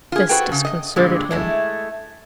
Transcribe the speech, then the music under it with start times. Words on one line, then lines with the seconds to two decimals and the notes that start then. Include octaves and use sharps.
This disconcerted him.
0.12 F4 G#4
0.29 F#4 A4 B4 C5 G5
0.52 C#3
0.65 D#5
0.96 G2 A#2 D3 G3 G#3
1.31 G#3 A3 E4